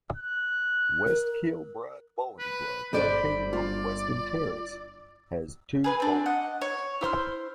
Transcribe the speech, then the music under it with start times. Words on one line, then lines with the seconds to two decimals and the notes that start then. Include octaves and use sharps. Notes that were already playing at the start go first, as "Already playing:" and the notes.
West Kilbride Bowling Club, located on Weston Terrace, has two bowling greens.
0.16 F#6
1.07 A#4
2.39 B4
2.93 G1 G3 C5 D5 B5
3.53 F4 D5
5.84 G#4 B4 G#5
6.00 C4 D4
6.26 D#5 F#5
6.61 C#5
7.01 E4 C5 C6 F6